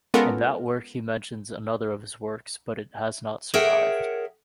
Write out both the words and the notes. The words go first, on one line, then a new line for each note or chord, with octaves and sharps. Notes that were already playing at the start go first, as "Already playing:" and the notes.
In that work he mentions another of his works, but it has not survived.
G#3 B3 C#4 F4 A4 A#4
G#4 A#4 C#5 E5 F#5 G5